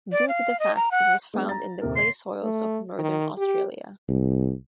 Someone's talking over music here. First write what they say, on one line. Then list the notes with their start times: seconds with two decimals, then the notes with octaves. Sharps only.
Due to the fact it was found in the clay soils of northern Australia.
0.12 D5
0.28 F5
0.60 D#5
0.76 A#5
0.91 F#5
1.34 G#3 B3 D4
1.49 A#5 A6
1.82 D#1 C3 A#4
1.96 C#5 C6
2.43 A3
2.99 D#3
3.37 G4
4.08 C2